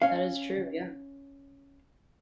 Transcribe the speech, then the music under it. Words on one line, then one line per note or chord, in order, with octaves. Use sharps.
That is true, yeah.
C#4 F5